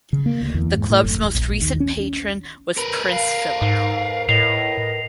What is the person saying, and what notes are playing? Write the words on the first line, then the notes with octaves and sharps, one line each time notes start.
The clubs most recent patron was Prince Philip.
C#3
A#3
D2
E2
G#2
A2
F#1
D#1
A#1
D#2
C#4
A#4 B4
F5
G#2
A2 D#5 C7 F7